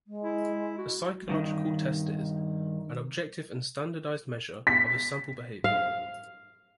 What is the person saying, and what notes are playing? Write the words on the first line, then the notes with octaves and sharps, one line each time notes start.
A psychological test is "an objective and standardized measure of a sample of behavior".
G#3
E4
F#4
G2 D#3
B6
F5